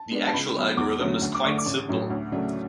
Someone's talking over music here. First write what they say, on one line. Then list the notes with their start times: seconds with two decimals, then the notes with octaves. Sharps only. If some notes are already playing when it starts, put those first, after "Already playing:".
The actual algorithm is quite simple.
Already playing: A5
0.11 G#3 B3 D4
0.27 A5
0.33 C#2 B5
0.55 B2 F#3 C#4
0.77 E2 D6
1.00 D3 F#3 A3 C#4
1.22 D2
1.35 D6
1.44 D3 A3 D4 C#6
1.58 D6
1.66 A1
1.88 A2 F#3 C#4
2.10 D2
2.32 C#3 F#3 A3 D4